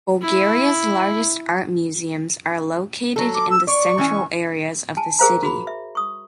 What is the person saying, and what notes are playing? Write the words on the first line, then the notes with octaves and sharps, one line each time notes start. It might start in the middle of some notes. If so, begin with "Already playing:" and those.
Bulgaria's largest art museums are located in the central areas of the city.
E4
F#3 A4
D6
E6
D5 C#6
E3 C#4 G#5
G#5 A5
G#4 A#4 C5 F5 A#5
F#4 G#4 B5
E5
C#6 D#6